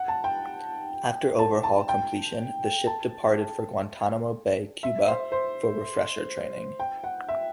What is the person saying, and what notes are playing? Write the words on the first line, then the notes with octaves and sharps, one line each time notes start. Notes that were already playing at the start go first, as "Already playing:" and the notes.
After overhaul completion the ship departed for Guantanamo Bay, Cuba for refresher training.
Already playing: F#5
A5
G5
A5
A5
G5
A5
E5
C5
C5
G5
F#5
E5